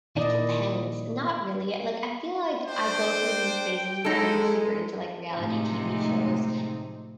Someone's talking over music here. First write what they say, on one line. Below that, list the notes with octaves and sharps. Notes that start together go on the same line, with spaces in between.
it depends, not really, like, I feel like I go through these phases where I'm, like, super into, like, reality TV shows,
A#2 D#3 E4 D5 D#5
D4 C5 G5
G#3 C#4 D#4 E4 A4
A2 C3 F3 G#3 C4 D#4